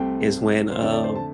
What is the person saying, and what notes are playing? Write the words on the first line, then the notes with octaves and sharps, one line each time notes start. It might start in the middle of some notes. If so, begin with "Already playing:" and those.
is when, um
Already playing: C2 C3 A3 C4 G5
C5
F2 D3 A3 D5
D5
C5
A5